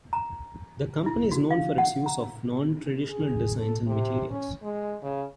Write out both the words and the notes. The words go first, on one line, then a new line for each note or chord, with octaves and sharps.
The company is known for its use of non-traditional designs and materials.
A#5
E4
F#4
F5
F#5
A#5
G#4
A4
C3
C#4
G#3
C#3